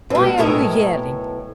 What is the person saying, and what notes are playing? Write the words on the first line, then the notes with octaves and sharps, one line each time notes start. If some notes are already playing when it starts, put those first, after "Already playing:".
Why are you yelling?
G2 B2
B1 A2 A3 A#4 D#5